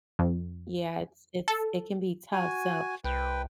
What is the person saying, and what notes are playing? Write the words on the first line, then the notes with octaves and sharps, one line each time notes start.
Yeah, it's it's it can be tough, so
F2
A4
F#4 G#5
C2 B4 G5